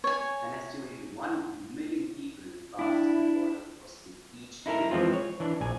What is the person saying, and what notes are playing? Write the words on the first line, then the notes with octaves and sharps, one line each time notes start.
An estimated one million people pass through the border crossing each year.
C#5 G#5
D4 E4
D#4 E4 A4 A#4
E3 F3 G#3 C4 F4
C#5
E3 D4
A#1 G#5